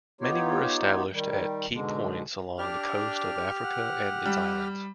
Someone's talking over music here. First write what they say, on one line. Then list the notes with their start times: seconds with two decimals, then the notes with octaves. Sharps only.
Many were established at key points along the coast of Africa and its islands.
0.21 B3 D#4 F4 G4 C#5
1.12 D#3 G3
1.72 G#2 B2 D3 G#3
2.58 D4 G4 F6
3.64 F#5
4.25 G3